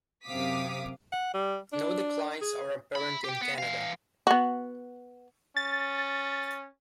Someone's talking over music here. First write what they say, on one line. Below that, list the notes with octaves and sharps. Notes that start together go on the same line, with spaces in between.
No declines are apparent in Canada.
F#2 C3 F5 D6 D#6 B6
F#5
G3
D4
G#4
E5 B5
G4 G5
B3
E3 F5
B3 F#4
C#4 A6